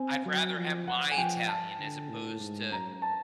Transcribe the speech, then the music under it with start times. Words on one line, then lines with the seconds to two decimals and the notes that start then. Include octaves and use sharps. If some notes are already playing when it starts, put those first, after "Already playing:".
I'd rather have my Italian as opposed to
Already playing: C4 G#5
0.25 F#3
0.56 F3
0.88 F#5
1.11 G#5
1.17 F3 G5
1.48 A5
1.79 D3
2.10 A2
2.40 G#2
2.71 F#2 A#5
3.02 A5